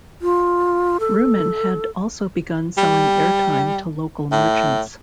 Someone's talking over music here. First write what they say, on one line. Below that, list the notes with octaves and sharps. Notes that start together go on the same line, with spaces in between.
Reuman had also begun selling airtime to local merchants.
F4
A4
G3
A2